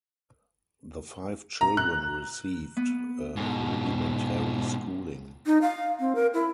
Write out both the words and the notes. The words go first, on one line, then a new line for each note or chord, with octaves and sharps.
The five children received a rudimentary schooling.
A#5
F#6
B3
G#2 B2
D#4
F5
C4
A#4
E4